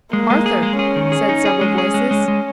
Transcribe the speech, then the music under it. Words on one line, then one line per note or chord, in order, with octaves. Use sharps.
"Arthur," said several voices.
G#3 A#3
G#3
G#4
G#3
C#4 G#4
D#3
G#4
D#4
G#4
G#3
G#4
G#3
G#3
G#3